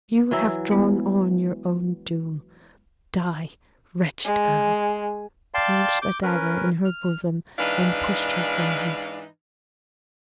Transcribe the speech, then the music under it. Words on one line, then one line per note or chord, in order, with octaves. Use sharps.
"You have drawn on your own doom--die, wretched girl!" plunged a dagger in her bosom, and pushed her from him.
E3 F#3 E5
G#3 B3 E4
G#3
D5 F5 G5 A5 C6
D6 G6
C#4 A#4 B4
F6
G#2 E3 D4 D#4 B4 F5